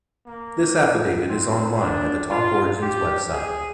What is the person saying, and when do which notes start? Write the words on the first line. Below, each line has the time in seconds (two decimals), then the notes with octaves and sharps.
This affidavit is online at the TalkOrigins website.
0.27 A#3
1.29 C4
1.80 D4
2.30 F4
2.82 G4
3.32 G#4